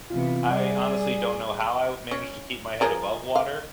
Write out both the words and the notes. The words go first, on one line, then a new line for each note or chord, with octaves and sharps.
I honestly don't know how I managed to keep my head above water,
C3 E3 B3 F4
G3 G#4 D5
C#4
F3 G#4 A#4
F5